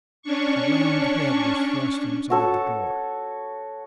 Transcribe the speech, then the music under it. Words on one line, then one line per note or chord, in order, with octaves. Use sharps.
A round head was thrust inside the door.
C#4 D4 C#6
F#4 A4 C#5